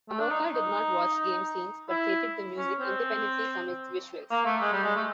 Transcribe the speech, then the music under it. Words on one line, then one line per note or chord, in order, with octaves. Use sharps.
Yamaoka did not watch game scenes, but created the music independently from its visuals.
A3
D4
D#4
D#4
E4
C#4
C4
A#3
A3
G#3
G3
G#3
A3